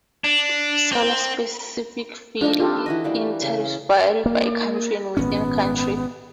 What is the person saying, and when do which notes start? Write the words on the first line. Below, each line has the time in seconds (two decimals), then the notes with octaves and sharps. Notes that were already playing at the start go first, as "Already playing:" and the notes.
Solar-specific feed-in tariffs vary by country and within countries.
0.24 D4
0.92 C4
2.42 F3 D4 D#4 D#5
2.60 F4 G4 A4
2.86 E3 F#4 D#5
3.04 E3 G3 A#3
3.42 C#3
4.26 A#3
5.17 G#1 A#2 B3 C#4